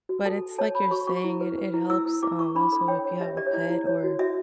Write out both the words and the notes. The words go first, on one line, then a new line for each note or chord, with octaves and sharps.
But it's like you're saying, it it helps, um, also if you have a pet or
F#4
A4 A5
F#4
C#5 A5
C#5 B5
F#4 C#6
F#4 C#6
E4
B4
B4
E4
E4 E6
E4
E4 D6
E4 C#6
D4 B5
A4 B5
C#5 G5
C#5
G4 E5
G4 D5
C#5
E4 D5
E4
C#5
F#4
F#4 E5